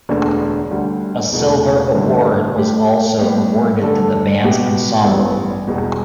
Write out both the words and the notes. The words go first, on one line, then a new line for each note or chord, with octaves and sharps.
A silver award was also awarded to the band's ensemble.
E1 D2 D3 B3 D4
D2 D3 G3
E1 E2 B2 A3
G1 G2 D3 A3
A2 A3 G4
A2 G3 B3 G4
G2 D3 A3 D4 A4
B2 B3 G4
A1 G2 G3 B3
E1 E2 B2 G3